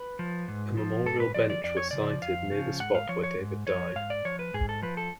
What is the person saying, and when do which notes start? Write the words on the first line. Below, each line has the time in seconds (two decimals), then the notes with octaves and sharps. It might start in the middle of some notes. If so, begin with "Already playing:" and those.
A memorial bench was sited near the spot where David died.
Already playing: B4
0.19 F3
0.48 G#2
0.77 F3
1.06 G#2 A4
1.20 B4
1.34 F3 D5
1.50 D5
1.64 F2 D5
1.77 C#5
1.91 C#3 F3 D5
2.22 F2 F5
2.51 C#3 F3
2.80 G#2 F#5
2.95 F5
3.09 F3 C#5
3.23 C#5
3.38 G#2
3.67 F3 C#5
3.96 G#2 F5
4.10 D5
4.25 F3 C#5
4.39 B4
4.54 G#2 G#4
4.69 A4
4.82 F3 B4
4.97 A4